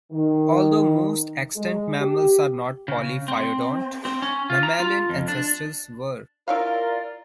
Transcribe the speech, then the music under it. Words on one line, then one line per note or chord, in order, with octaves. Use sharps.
Although most extant mammals are not polyphyodont, mammalian ancestors were.
D#3
G#3
G4
C#3
C4
C4
C#4
F4
A#5
F4
F2
D4
E4 F4 A#4 C#5 D5 F5